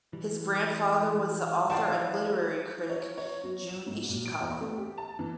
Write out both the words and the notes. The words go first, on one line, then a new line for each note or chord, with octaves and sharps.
His grandfather was the author and literary critic Jun Ishikawa.
E3 G3
E3 F4 D5 F#5 G5 A5
C#5
C#5
F#3
E7
G#2
A#2
D7
E2
A3
G4
A5
E3